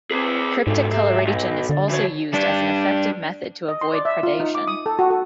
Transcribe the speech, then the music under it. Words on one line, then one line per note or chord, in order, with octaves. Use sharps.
Cryptic coloration is also used as an effective method to avoid predation.
C4 G#4 B4
G#2 B2 D3 A4
C3
B1 D#5
D3 D5
E3 F#4 C#5
G3 D4
D#5
C6
D5
E5
F4
D#4
D6
D#6
A4
F#4
A4